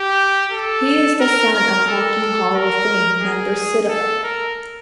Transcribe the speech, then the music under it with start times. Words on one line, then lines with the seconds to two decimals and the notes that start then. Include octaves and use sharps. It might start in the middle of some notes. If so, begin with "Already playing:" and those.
He is the son of Hockey Hall of Fame member Sid Abel.
Already playing: G4
0.52 A4
1.21 A#4
1.53 A#4
1.87 A4
2.54 A#4
3.22 G#4
3.89 A4
4.23 A#4